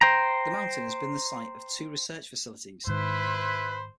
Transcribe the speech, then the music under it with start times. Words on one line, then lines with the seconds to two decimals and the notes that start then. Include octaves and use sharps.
The mountain has been the site of two research facilities.
0.01 C5 G5 A#5
2.87 G#2 D#3 E4 B4 C5 B5